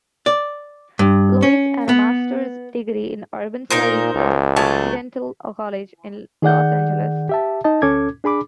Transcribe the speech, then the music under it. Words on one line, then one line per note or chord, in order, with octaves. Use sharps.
Louis and a master's degree in urban studies from Occidental College in Los Angeles.
D5
G2
C#4
B3
A#2 D#4 A#4 C5
C#2
F#3 A3 A5
D#3 G#4 D5 F#5 G6
G4 E5 A5
D#4 D#5 A5
D2 C#4 A4 D6 G#6
D4 G#4 B5 D6